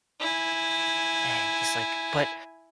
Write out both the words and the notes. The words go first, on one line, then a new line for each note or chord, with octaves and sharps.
And he's like, "But
E4 G#5